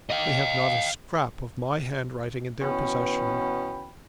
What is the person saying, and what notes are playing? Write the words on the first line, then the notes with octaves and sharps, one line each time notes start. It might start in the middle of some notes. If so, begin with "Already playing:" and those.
They have not a scrap of my handwriting in their possession.
D#5 F5
B2 E3 B3 C#4 G5 B5